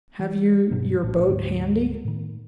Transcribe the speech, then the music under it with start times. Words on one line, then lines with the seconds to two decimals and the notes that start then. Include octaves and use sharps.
"Have you your boat handy?"
0.20 E3
0.71 G2 B2 F#3
1.03 A#1 A2 D4
1.28 D2 G#2
2.05 A2 D#3